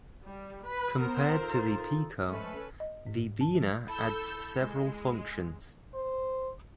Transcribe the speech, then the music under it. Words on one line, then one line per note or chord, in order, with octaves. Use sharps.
Compared to the Pico, the Beena adds several functions.
G3
B4
B3 A#4 C5
D#4 F4 A4
F3 G#3 A3 C#4 A4 B4
D#5
G#2
A5
F3
E4 A4 E6 G6
G#3
C5